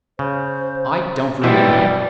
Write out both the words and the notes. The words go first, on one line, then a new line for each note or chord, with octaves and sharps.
I don't remember....
C#3 C5
B2 E3 G3 G4 C5 E5
D5